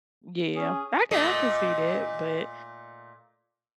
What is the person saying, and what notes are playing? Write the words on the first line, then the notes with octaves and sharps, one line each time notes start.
Yeah. I can I can see that, but
C#4 G#4
A#2 A3 D#5